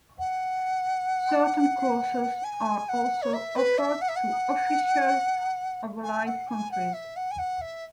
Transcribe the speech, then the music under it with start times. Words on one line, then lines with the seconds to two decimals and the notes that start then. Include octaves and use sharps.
Certain courses are also offered to officers of allied countries.
0.19 F#5
2.44 G#5
2.89 F#5
3.22 C#5
3.33 E5
3.56 B4
3.78 E5
4.01 F#5
4.09 E5
4.16 F#5
6.03 G#5
6.26 F#5
6.48 G#5
6.71 F#5
6.93 E5
7.16 F#5
7.31 G#5
7.39 F#5
7.61 E5